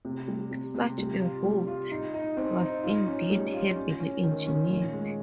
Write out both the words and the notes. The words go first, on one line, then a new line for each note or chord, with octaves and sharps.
Such a route was indeed heavily engineered.
C3
G3
C3
C3
G3
F4
G3
F4
D#4
D#4
C4
D#4
F4
C#4
G3
F4
C#4
C#4
D#3
C#4
A#2
G#3